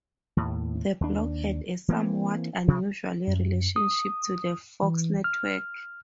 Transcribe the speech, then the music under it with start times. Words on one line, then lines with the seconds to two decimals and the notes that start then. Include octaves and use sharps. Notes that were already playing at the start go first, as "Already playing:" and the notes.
The block had a somewhat unusual relationship to the Fox network.
0.37 D#2 A2
1.01 D#2 D4
1.88 E3 A#3 C4
2.68 D2 C3 F3
3.28 F#2
3.76 D#6
4.83 E3
5.24 F6